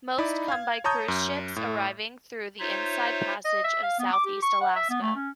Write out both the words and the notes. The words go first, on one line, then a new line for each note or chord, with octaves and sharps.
Most come by cruise ships arriving through the Inside Passage of Southeast Alaska.
D#4 E4 D5 B5
F5 G#6
C#5 A5 A#5 C#6 D#6 G6
F#2
A2
D#4 F4 C5 C#5 E5
D#5
E5
F5
B3
D6
G4
C#6
F#5
E5
B3
A3
C#4